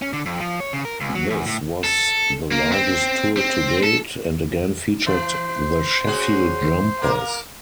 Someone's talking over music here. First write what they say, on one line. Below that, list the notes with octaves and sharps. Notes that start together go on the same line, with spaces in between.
This was the largest tour to date, and again featured the Sheffield Jumpers.
C#4
D3
F2
F3
C#5
C#3
A#4
C#2
F#3
E2
A2
A4
A#3
C4
C4
A4
E3 C5
C#4 F#4 G#4
A#3 A#4